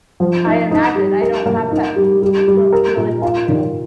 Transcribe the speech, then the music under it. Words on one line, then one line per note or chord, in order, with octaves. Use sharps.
I imagine, I don't have pets and don't really want to.
F3
D#4
D#4
G3
A#4
A#3
D#4
G3
G3
G3
A#4
A#2
F4
D#3